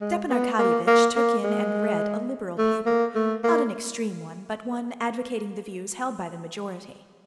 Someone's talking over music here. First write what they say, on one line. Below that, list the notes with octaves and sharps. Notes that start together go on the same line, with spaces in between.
Stepan Arkadyevitch took in and read a liberal paper, not an extreme one, but one advocating the views held by the majority.
G#3
B3
A#3
A#3
A#3
G#3
A3
A#3
A3
A#3